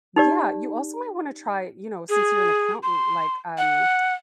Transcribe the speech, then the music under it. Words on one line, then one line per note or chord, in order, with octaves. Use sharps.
yeah, you also might wanna try, you know, since you're an accountant, like, um,
D#4 G4 D5
G#4
C6
F#5